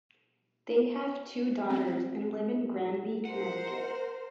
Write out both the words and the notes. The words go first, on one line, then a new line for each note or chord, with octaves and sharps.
They have two daughters and live in Granby, Connecticut.
C4
A#4 C5 F#5